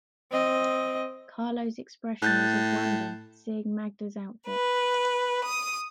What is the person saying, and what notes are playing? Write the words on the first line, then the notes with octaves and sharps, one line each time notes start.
Carlo’s expression was of wonder, seeing Magda’s outfit.
C4 D#5
A2 F#6 G6 A6
B4
D#6